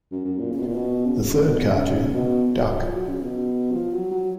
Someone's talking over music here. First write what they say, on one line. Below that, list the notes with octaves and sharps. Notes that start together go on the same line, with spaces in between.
The third cartoon, Duck!
F#2
F#2
A#2
C#3
B2
A#2
B2
C#3
C#3
C#3
B2
C#3
B2
F3
F#3
C#3
B2
F#3
F3
F#3
F#3